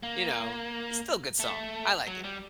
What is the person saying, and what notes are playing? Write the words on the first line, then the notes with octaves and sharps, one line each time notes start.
you know, it's still a good song. I like it.
A#3
A3
F#3
G3